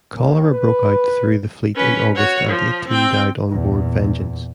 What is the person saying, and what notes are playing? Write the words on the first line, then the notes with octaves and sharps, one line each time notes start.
Cholera broke out through the fleet in August and eighteen died on board "Vengeance".
D#2
B4
C#4 B4
F#4 C#5
F3
C4 G5
E2 A#2